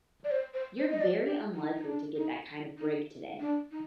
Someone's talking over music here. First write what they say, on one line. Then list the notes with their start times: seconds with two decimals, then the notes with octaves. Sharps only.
You're very unlikely to get that kind of break today.
0.24 D5
0.31 C5
0.54 C5
0.78 C5
0.91 D#5
1.01 D5
1.24 G4
1.54 D#4
1.76 D#4
1.85 D4
2.16 D#4
2.78 D#4
3.40 D4
3.71 D#4